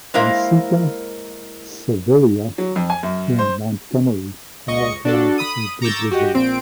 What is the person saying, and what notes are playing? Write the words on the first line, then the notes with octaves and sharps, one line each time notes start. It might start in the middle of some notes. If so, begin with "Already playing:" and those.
Laiseka, Sevilla and Montgomery all have a good result.
G#3 A#3 E4 A#4 C5 F5
F#3
F2
G#5
F#2
C5
C#2 D#5 C#6 C#7
D4 F#4 A4
B5 D#6 D#7
A#5 C#6 D6 E6 G6 A6
F#4 G4 D#5
A#1 C4 D7